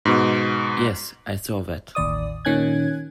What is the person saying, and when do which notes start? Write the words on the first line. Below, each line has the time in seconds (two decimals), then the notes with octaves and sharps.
Yes, I saw that.
0.05 G#2 B2
1.95 A1 D#2 D5 D#6
2.45 A#2 D#3 C#4 G#5 F#6 G#6